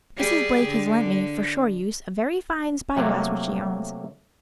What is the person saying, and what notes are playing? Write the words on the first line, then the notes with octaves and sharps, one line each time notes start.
Mrs. Blake has lent me, for shore use, a very fine spyglass which she owns.
G3 G4 G#4
D3
C3 F#3 A3 A#3